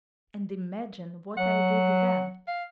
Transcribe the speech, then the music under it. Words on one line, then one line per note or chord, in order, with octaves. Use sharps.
And imagine what I did then!
F#3 F#5
F5